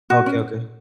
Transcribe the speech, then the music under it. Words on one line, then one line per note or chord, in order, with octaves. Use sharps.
Okay, okay.
F#4
C#4